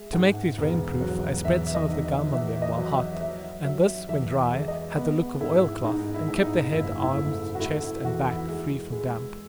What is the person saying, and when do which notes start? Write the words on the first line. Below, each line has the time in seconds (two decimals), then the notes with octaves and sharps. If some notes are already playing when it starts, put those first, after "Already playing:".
To make these rain proof, I spread some of the gum on them while hot, and this, when dry, had the look of oil cloth, and kept the head, arms, chest, and back free from damp.
Already playing: G#3 E5
0.13 G#2 F#5
0.58 E1
1.01 F#3
1.45 E2 E5
1.75 D#5
1.89 D#3
2.32 E2 E5
2.62 D#5
2.78 F#3
2.92 E5
3.21 F#3 E5
3.65 F#3 E5
4.09 E2 E5
4.38 E5
4.53 G#3
4.68 D#5
4.96 B3
5.41 G#2 E4
5.84 G#2 D#4
6.14 E4
6.28 G#2
6.43 D#4
6.72 F#1 E4
7.02 E4
7.16 A3
7.55 F#4
7.60 A3 E4
7.82 E4
8.05 E2 F#4
8.26 E4
8.49 G#3
8.92 G#3